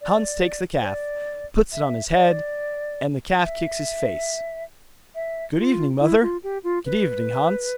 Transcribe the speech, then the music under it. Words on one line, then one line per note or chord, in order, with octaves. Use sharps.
Hans takes the calf, puts it on his head, and the calf kicks his face. 'Good evening, mother.' 'Good evening, Hans.
D5
C5
D5
E5
D5
E5
E5
F4
E4
F4
G4
F4
B4